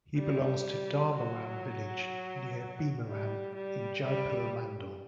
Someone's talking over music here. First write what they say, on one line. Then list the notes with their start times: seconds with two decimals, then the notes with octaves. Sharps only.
He belongs to Dharmaram village near Bheemaram in Jaipur Mandal.
0.17 G3
1.14 F#3
3.07 G3
3.55 G3
4.04 G3